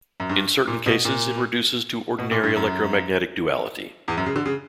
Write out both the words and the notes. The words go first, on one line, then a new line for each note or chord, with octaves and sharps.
In certain cases it reduces to ordinary electromagnetic duality.
F#2
G2
A#2
B2
A#2
B2
A#2
G2
F#2
E2
F#2
C#3
D3
C#3